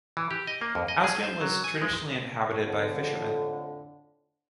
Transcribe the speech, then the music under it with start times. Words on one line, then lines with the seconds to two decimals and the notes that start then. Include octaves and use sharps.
Askim was traditionally inhabited by fishermen.
0.17 E3
0.31 G4
0.47 D#5
0.61 A#3
0.75 F2
0.88 D#5
1.04 G#4
1.24 C5
1.41 F#3
1.64 G#5
1.82 G#3
2.65 F2 A2 D3